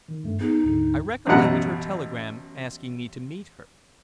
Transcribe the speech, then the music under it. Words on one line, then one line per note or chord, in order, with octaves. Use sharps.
I recollected her telegram asking me to meet her.
D#3
G2 A3
B3 D#4 G#4
D2 G#2 D3
A1 F#2 B2 F#5 A#5